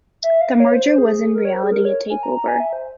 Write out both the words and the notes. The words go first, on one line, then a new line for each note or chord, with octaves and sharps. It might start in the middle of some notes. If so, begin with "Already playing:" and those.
The merger was in reality, a takeover.
E5
F5
C#5
C5
C5
G#4
A#4
C#5
C5
G#4
A#4
C#5
G#5
A#5
A#5
G#5
E5
C5